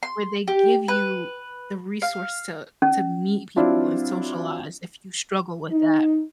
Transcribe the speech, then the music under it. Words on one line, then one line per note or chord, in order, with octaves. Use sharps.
where they give you the resource to to meet people and socialize if you struggle with that.
C6
G4
B4
F5
C#4
F#3 C4 D4 E4 F4
D#4